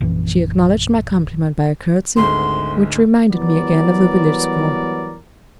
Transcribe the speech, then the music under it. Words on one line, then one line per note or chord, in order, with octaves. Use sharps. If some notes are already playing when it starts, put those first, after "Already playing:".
She acknowledged my compliment by a curtsey, which reminded me again of the village school.
A#1 F#2 E3
G#1 D2 G#3 C6
E3 F#3 G3 B3 A#4 D5